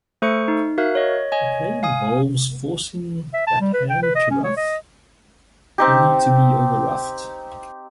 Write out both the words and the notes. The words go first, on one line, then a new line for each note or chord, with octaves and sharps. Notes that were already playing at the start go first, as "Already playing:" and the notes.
The play involves forcing that hand to ruff, only to be overruffed.
A3 A4 C5 C#6 C#7
D#4
F#4 A#4 E5 F5 F#6
C#5 D#5
C#5 D#5 G#5
F5 G#5 D#6
E5
A5
G3
B4
G5
B4
D#5
C#4
C#5
D#5
C4 D#4 G4